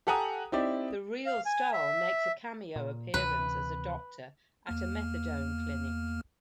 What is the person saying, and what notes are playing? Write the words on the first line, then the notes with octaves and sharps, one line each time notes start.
The real Stahl makes a cameo appearance as a doctor at a methadone clinic.
G4 A4 F#5 G#5 A#5 D#6
C4 D#4 E4 G4 D5
F5
G#5
E5
A#2
D2 C3 E3 B4
E2 A#3 F6